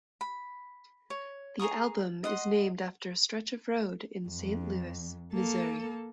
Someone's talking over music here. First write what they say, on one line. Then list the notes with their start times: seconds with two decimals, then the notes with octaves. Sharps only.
The album is named after a stretch of road in Saint Louis, Missouri.
0.21 B5
1.10 C#5
1.59 G#4 A#5 C#6 D#6
2.24 D#5 F#5 C6
4.28 F2
5.33 A#3 A4